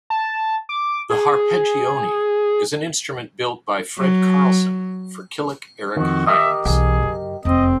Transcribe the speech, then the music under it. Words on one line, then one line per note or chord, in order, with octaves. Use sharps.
The H'arpeggione is an instrument built by Fred Carlson for Killick Erik Hinds.
A5
D6
G#4
F#3
F2 D#3 F#4
G4 A#4 D#5 E5
B1 E3 G#4
F#2 C#3
F1 E2 C4 D#5